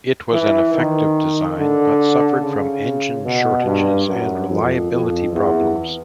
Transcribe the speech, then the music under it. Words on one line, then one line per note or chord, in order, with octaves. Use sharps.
It was an effective design, but suffered from engine shortages and reliability problems.
E3
D#3
D3
C#3
B2
G2
F#2
F2
F2
E2